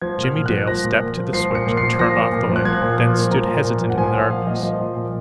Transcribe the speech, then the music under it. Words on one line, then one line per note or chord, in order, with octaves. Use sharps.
Jimmie Dale stepped to the switch and turned off the light; then stood hesitant in the darkness.
F3 G#6
A#2
F6
A#2
F#6
F3
F3 A#6
A#2
A#2
F3
F3 C7
A#2 C#7
A#2
C7
F3
F3 A#6
A#2
A#2
F3
F#6
F3 G#6
A#2
A#2
F3
F3 A#5
A#2
A#2
F3
F#5
F3 G#5
A#2 F#5
A#2 F5
F3 D#5
F3 D#5
A#2
A#2